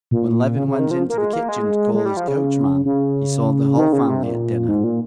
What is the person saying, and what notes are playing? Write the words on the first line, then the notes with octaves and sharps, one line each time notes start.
When Levin went into the kitchen to call his coachman he saw the whole family at dinner.
A#2
C#3
C#3
D#3
F3
A#3
G#3
A#3
G#3
G#3
G3
F3
C#3
C#3
D#3
C#3
C3
A#2
G#2
A#2